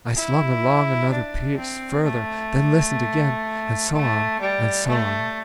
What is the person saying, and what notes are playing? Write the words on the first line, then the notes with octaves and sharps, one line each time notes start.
I slunk along another piece further, then listened again; and so on, and so on.
E4
D4
C4
A3
A3
G3
A3